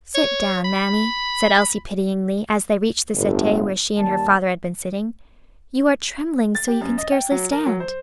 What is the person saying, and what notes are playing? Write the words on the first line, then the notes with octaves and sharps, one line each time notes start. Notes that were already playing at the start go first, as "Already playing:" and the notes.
"Sit down, mammy," said Elsie pityingly, as they reached the settee where she and her father had been sitting; "you are trembling so you can scarcely stand."
C#5
B5
G1 A2
D#2 G3 A5
A6
G4
F#2
D#5
G5
F#3
A#4
F#3
C5